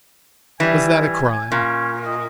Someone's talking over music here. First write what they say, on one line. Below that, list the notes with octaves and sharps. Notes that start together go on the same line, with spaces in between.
Was that a crime?
E3 G3 G#5
A#2 C#4
D#5